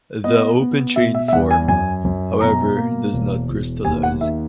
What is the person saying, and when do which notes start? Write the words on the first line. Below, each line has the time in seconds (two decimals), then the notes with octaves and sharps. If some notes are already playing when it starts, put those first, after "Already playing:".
The open-chain form, however, does not crystallize.
0.24 B3 D#5
0.60 B3
0.96 B2 E5
1.15 E5
1.28 E5
1.32 E2 F#5
1.51 G#5
1.68 F#2 G#5
2.05 F#2
2.41 B2 A#5
2.77 A#3
3.13 E1
3.49 E1
3.85 D#2 G#5
4.03 F#5
4.21 D#3 E5